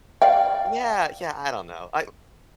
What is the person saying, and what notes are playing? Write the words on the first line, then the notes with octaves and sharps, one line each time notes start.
Yeah. Yeah. I don't know. I
D5 F5 G5